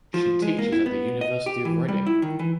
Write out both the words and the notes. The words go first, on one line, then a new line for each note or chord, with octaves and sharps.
She teaches at the University of Reading.
F3
G#3
A#3
E4
B3
D#5
G4
E3
G3
E4
D#3
E3